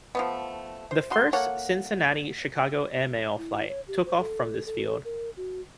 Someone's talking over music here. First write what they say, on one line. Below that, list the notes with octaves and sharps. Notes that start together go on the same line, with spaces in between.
The first Cincinnati-Chicago airmail flight took off from this field.
F3 A3 B3
C5
C#3 F#4 C6
A#3 A4 C#5 F#5
E4
C#5
G4
C5
A4
A4
A#4
F#4